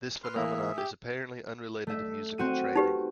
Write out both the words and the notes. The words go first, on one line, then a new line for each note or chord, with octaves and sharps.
This phenomenon is apparently unrelated to musical training.
B4 C6 F6
E3 A#3 G#4 E5
G4
A3 E5
C4 F#4 D#7
D#4 G4 B4